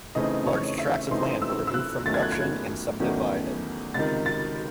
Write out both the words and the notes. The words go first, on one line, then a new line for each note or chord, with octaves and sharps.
Large tracts of land were removed from production and subdivided.
C#3 E3 A3 C4 D#4 D#5
C#5
E5
C#3 E3 A3 C4 D#4 C6
E6
E6
F#6
E2 D#3 F#3 A3 C#4 A6
G#6
F#6
G#6
E2 D#3 F#3 A3 C#4
C#2 C3 D#3 A6
A6